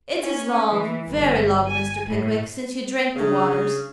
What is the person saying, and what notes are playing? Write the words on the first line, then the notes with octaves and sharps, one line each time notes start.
It is long--very long, Mr. Pickwick, since you drank the waters.
C#4
E3
G1
G#5
A2
C#3 D4 G#4